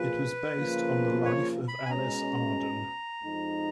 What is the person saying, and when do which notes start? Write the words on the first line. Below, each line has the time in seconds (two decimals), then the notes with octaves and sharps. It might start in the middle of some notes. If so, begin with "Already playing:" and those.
It was based on the life of Alice Arden.
Already playing: A#2 F3 A#3 F4 G#4 B4
0.58 C#3 F3 A#3 F4
1.25 C#5
1.68 B5
1.86 G#5
1.91 B2 G#3 C#4 A#5
3.23 F2 F3 G#3 D#4